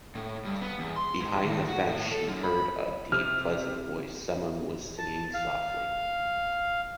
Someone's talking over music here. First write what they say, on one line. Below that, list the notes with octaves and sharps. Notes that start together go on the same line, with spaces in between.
Behind the fence, she heard a deep pleasant voice: someone was singing softly.
A2
G2
B3
E2
C6
G#2
D#2
F#4
A2
A4
F#2
B5
C3 F6
A5
F5